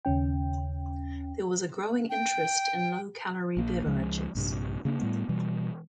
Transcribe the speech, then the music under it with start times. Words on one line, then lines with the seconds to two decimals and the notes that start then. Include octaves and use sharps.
There was a growing interest in low-calorie beverages.
0.05 D#2 C#3 C#4 G5
2.10 G5
3.57 A#1 A#3
3.86 C#2 F3 G#3
4.35 A#1 G2 C3
4.85 C#3 A#3 C4 D4
4.99 A2 G3 A3 B3
5.29 B2 E3 G3